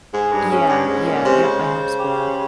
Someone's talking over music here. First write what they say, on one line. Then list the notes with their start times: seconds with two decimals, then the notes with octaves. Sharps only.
Yeah, yeah yep, I homeschool.
0.13 G#2 G#4
0.32 G2
0.50 G#2 C#4
0.69 G2
0.87 G#2 G#3
1.07 A#2
1.24 C3 C5
1.43 C#3
1.62 C5
1.99 G4